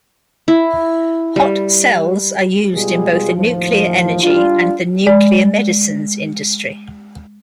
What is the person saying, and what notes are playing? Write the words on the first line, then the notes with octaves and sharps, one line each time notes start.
Hot cells are used in both the nuclear-energy and the nuclear-medicines industries.
E4
G3
B2 G3 G#3 F4 G#4
D#2 A2 F3
G3 D4 F4
G#3 D5